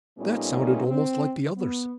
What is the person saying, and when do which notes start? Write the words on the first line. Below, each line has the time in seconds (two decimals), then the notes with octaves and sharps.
That sounded almost like the others.
0.18 A#2 G3 A3 B3 C#4 D#4
0.86 C4
1.57 B3